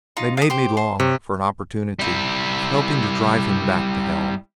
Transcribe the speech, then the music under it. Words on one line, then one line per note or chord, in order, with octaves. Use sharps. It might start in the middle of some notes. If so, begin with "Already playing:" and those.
They made me long for an opportunity of helping to drive him back to hell.
D#4 F4
F5 D#6
G4 C5
C5
C3 C#5
G3 E4